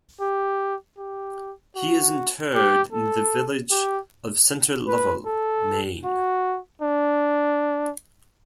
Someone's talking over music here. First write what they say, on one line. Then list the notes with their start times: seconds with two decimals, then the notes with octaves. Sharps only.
He is interred in the village of Center Lovell, Maine.
0.21 G4
0.98 G4
1.76 F#4
2.55 G4
2.92 A4
3.71 G4
4.88 B4
5.26 A4
6.04 F#4
6.82 D4